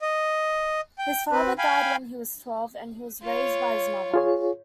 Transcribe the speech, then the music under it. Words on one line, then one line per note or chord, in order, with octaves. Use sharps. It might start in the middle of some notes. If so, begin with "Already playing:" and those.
His father died when he was twelve, and he was raised by his mother.
D#5
G5
C4 B4
F5 G5 G#5 B5
F4 C#5
F4 G#4 C#5